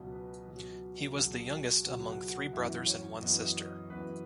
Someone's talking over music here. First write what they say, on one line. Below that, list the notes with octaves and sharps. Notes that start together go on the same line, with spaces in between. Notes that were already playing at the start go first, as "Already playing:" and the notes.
He was the youngest among three brothers and one sister.
Already playing: C#2 B2 F#3 D#5
B4
C#2 B2 F#3
C#2 B2 F#3 G#4
F#4
C#2 B2 F#3 G#4
F#5
F#5
F#2 E3 B3 E5
C#5
F#2 E3 B3 D#5
D#5
F#2 E3 B3 B4